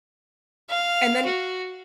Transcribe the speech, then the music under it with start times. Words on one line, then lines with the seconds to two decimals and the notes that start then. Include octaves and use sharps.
And then he
0.69 F5
1.25 F#4